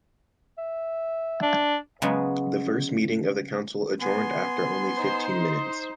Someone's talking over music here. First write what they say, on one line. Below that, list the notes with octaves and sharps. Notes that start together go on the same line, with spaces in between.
The first meeting of the Council adjourned after only fifteen minutes.
E5
D4
C#3 F#3 G#3 B3
B3 G#5 C6
D#4 C5